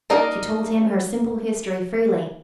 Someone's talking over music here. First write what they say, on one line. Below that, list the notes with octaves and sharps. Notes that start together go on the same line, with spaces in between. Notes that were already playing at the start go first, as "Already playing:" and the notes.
She told him her simple history freely.
A#3 D#4 A#4 D5 D#5